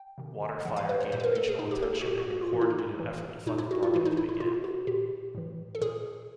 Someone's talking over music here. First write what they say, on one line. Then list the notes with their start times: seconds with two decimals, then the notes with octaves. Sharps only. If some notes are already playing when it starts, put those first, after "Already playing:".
WaterFire gained regional attention and a coordinated effort to fund the project began.
Already playing: G5
0.18 C3 D#3
0.65 A2 E3 F#5
0.76 F5
0.89 B4
1.00 C5
1.12 A#2 C5
1.20 B4
1.24 A#4
1.35 A4
1.48 G#4
1.59 A#2 D#4
1.71 G4
1.83 A4
1.95 G#4
2.01 F#4
2.06 A#2 G4
2.18 F#4
2.30 F#4
2.41 F4
2.53 A2 E3 F4
2.61 E4
2.70 D#4
2.78 E4
2.99 A2 E3
3.46 A#2 D#4
3.58 E4
3.71 F#4
3.83 F4
3.94 A2 E3 E4
4.05 D#4
4.17 E4
4.29 E4
4.40 B2 F4
4.64 F#4
4.87 A#2 G4
5.35 A2 E3
5.75 A4
5.81 A#2 G#4